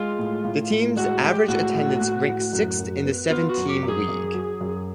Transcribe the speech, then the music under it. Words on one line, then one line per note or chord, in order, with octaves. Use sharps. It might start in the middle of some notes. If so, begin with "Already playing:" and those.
The team's average attendance ranked sixth in the seven-team league.
Already playing: G#3 F4
A2
A2
A2
G#3 F#4
G#3 G4
A2 F#4
A2
A2
A2
F#2
F#2
B3
B3 F4
F#4
F#2
G4
F#2
G#4
F#2
F#3
F#2